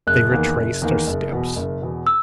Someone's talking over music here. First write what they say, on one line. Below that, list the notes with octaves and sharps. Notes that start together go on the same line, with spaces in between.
They retraced their steps.
F#1 F#6
E2 D#3 A#3
F#1
E2 D#3 A#3
F#1
E2 B2
F#1
E2 B2
E6